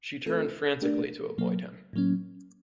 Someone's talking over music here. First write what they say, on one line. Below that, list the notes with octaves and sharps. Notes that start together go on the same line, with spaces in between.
She turned frantically to avoid him.
A3 C4 F4 A4
A3 D4 G4 A#4 D5
B2 F#3 A#3
A2 F#3 A#3 C#4